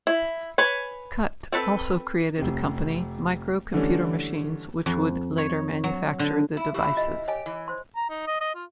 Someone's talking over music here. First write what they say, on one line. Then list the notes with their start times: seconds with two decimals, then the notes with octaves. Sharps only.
Kutt also created a company, Micro Computer Machines, which would later manufacture the devices.
0.07 E4
0.58 B4 C#5 G#5
1.52 C4 A4 B4
2.38 F1 C3
3.74 D3 E3 G3 A3 C#4
4.86 F2
5.38 C#5
5.84 F#3
6.19 D3
6.57 E4
6.74 A#2 E3 E4 G4
6.97 D#5
7.28 G4 C#5 D#5 G#5
7.46 E3
7.68 C5 C6
7.96 A#5
8.10 D#4
8.27 D#5
8.41 D#5
8.55 F4